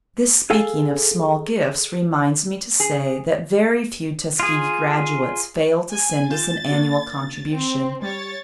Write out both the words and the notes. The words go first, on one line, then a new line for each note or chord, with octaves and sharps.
This speaking of small gifts reminds me to say that very few Tuskegee graduates fail to send us an annual contribution.
G#4 A4 F5 G#5
G#4
F4 G#4
G#5
F4 G6 A6 E7
A#3 D4 F#4
C4
G3 C#5 A6